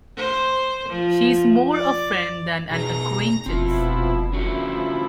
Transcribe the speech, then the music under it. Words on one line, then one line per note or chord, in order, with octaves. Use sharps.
She is more a friend than an acquaintance.
C5
F3
D5
B2 D#4 G#4 A#5 A#6
F1 B2 F3 C4 E4 F4
D3 F3 C#4 E4 F#4